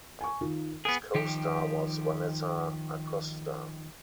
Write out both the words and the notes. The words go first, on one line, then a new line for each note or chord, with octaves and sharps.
His co star was Vanessa Acosta.
G#5 C#6
D#3 D#4 F4
B3 G#4 D7
D#3 F3 G4